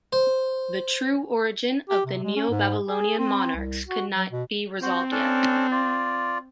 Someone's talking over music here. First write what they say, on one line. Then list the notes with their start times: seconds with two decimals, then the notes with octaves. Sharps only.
The true origin of the Neo-Babylonian monarchs could not be resolved yet.
0.13 C5
1.90 G4
2.06 C3
2.23 G#3
2.36 C#4
2.50 G#2
2.88 G#4
3.18 C4
3.56 C2
3.88 F#4
4.15 F#3
4.32 B2
4.82 C4 F#4 C5
5.12 C#4 D4 A4
5.71 F4 D5